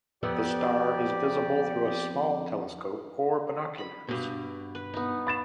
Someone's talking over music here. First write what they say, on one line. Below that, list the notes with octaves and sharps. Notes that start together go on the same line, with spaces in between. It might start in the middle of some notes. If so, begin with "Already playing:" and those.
The star is visible through a small telescope or binoculars.
F2 B3 G4 D5 E5
B5
G2 B2
B4
B3 D#4
B5 A6 E7